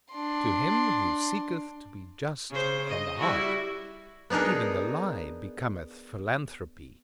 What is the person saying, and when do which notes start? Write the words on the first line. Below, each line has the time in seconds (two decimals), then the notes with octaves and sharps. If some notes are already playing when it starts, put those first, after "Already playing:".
To him who seeketh to be just from the heart, even the lie becometh philanthropy.
0.13 D4 C6
2.50 C#3 C5
2.89 D#5
3.19 G3 E4 F#4
4.30 B3 D4 D#4 G#4 A#4